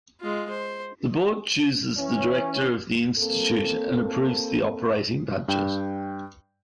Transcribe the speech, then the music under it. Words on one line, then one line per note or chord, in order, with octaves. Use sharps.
The Board chooses the Director of the Institute and approves the operating budget.
G#3 F4
C5
E3 C#4
A#3 C4 A4
G2 G5